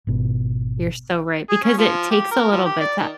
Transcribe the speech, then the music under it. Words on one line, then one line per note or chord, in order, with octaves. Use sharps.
You're so right, because it takes a little bit to
G#1 B2
G#4
C#4
F3
G4
A#4
F3
G4
D5
D#3